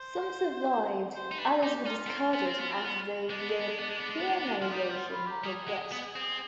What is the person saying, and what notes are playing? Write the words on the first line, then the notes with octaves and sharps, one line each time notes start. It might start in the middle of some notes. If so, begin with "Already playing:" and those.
Some survived, others were discarded as the Europeanization progressed.
Already playing: C5
C5
D#4
D4 B4
D#4 G4
D#4 F4
B3
C4
B3
C4
B3
C4
B3
G#3 D4
B3
G#3
B3
G#3
B3
G#3
B3
G#3
B3
G#3
B3
G#3
F3 F4
G3 D#4
G4
F4
F4
G4
G3 G#4
G#3
B3
C4